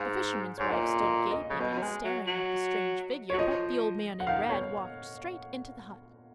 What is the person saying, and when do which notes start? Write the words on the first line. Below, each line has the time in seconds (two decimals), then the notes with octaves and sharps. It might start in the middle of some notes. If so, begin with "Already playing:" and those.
The fisherman's wife stood gaping and staring at the strange figure, but the old man in red walked straight into the hut.
Already playing: G#2 F5
0.58 G#2 C#5
0.71 A#2 D#5
1.01 D#5
1.31 D#5
1.50 C#3
1.60 B2 D#5
1.78 F#3
1.82 G#3
2.04 F#3
2.27 F#3
3.30 F#3 C#5
3.39 F3 D#5
4.20 F#5
4.27 D#3 F5
4.49 B2 C#5